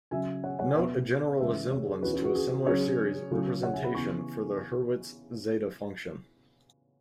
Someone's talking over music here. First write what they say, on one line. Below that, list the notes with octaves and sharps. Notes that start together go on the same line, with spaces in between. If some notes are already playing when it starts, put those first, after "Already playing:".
Note a general resemblance to a similar series representation for the Hurwitz zeta function.
C#3 F#3 C#4 E5 G#5
C#5 F#5
C#5 F#5
B2 B3 B4 E5
C#3 E3 G#3 C#4 B4 E5
G#4 C#5
G#4
E3 C#4 F#4 B4
F#4 B4
F#4 B4
G#4
C#3 F#3 C#4 G#4 C#5
C#3 F#3 C#4
C#5 F#5
E5 G#5
F#5 B5
C#3 E3 B3 G#5 C#6